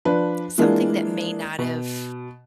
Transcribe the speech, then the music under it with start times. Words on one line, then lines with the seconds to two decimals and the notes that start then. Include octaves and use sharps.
something that may not have
0.05 F3 D4 B4
0.58 E3 G#3 A#3 D4 F4
1.59 B2